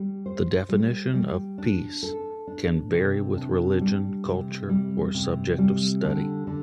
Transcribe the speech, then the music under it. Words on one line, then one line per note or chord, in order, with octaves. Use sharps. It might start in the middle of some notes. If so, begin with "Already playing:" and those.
The definition of "peace" can vary with religion, culture, or subject of study.
Already playing: G3
C5
G3
G3
D4
A4
D4
C3
D4
G3
C3
G3
C3
G3
D3
D3